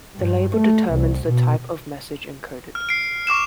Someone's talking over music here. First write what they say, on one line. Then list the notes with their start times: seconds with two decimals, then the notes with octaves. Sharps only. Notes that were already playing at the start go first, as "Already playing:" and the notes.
The label determines the type of message encoded.
0.15 G2
0.54 A3
0.92 C2
1.25 B2
2.75 F6
2.89 C7 D7
3.27 C#6 D6 F6 E7